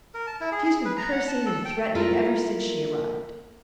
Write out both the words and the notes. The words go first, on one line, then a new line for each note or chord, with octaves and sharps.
She has been cursing and threatening ever since she arrived.
A#4
A5
E4
G#4
G#4
B4
A#5
F#5
A5
A4
G5
A#3 E4 F4 A4 A#4